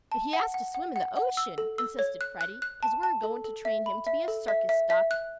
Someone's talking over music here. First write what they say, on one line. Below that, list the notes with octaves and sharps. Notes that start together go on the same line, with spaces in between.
"But he has to swim in the ocean," insisted Freddie, "'cause we're going to train him to be a circus duck."
A5
F#5
F#5
F#5
F#5
F#5
E6
A4
E6
C#5
F#6
F#6
F#6
A5
A5
A4
A4
E5
B5
E5
A4
E5
E5
E5
F#6